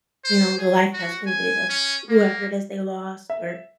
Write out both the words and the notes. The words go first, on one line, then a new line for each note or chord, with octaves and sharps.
you know, the life has ended of whoever it is they lost or
C5
G#4
F#4
G#5
C#4
A#3
E5